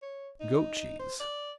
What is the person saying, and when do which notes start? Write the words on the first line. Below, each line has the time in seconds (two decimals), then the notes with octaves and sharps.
Goat cheese.
0.02 C#5
0.40 D#4
0.99 C5
1.20 D5